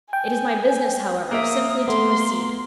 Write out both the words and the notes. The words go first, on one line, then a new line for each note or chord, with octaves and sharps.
It is my business, however, simply to proceed.
G5 G#5
A#3 A#4 E5 D#6
A3 B3 C6